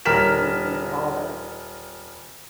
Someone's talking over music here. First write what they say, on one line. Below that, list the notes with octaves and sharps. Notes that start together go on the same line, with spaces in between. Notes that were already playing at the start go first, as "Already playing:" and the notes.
um, you know, all the
D#1 A#4 B6 E7